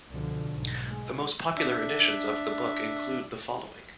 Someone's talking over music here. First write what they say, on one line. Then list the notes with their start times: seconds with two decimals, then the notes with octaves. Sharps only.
The most popular editions of the book include the following.
0.10 C#2 F#2 B2 D3 F3
0.48 B1 G#2
0.87 G#3
1.57 D4 E5